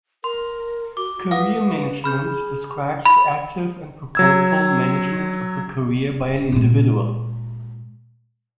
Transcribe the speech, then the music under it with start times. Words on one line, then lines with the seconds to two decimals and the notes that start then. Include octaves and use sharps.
Career management describes the active and purposeful management of a career by an individual.
0.24 A#4 C6
0.97 F#4 D6
1.31 B4 F5 F#5 D#6
2.04 G#4 B5 F6 G6
3.06 B5
4.15 F#3 E6 G#6
6.52 A#2 G#3